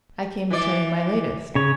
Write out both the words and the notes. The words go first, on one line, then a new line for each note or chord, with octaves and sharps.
I came to tell you my latest.
E3 D5
C#3 C#5